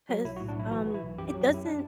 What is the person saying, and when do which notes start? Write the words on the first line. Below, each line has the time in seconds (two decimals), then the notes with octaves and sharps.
'cause, um, it doesn't
0.09 F#3
0.24 B1 E4
0.36 F#4
0.40 A2
0.48 D4
0.56 B1 E4
0.71 E3 F#4
0.87 E3
0.94 E4
1.03 B1
1.18 F#2 G4
1.30 G4
1.34 F#3
1.41 G4
1.49 F#2 E4
1.65 D4